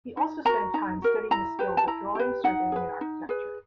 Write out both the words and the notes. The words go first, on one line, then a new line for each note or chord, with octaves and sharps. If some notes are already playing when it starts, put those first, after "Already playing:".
He also spent time studying the skills of drawing, surveying, and architecture.
D#4
F#4 A#4 A#5
D#4 A#5
F#4 A#4
E4 A#5
G4 B4
A5
E4 A#5
G4 B4
D#4 F#5
G#4 B4
D#4
G#4 B4